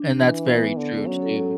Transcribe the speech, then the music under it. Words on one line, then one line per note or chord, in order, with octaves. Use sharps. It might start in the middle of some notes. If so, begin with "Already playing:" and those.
And that's very true too.
Already playing: D4
E3
B3
D3
F#3 C#4
A4
C#5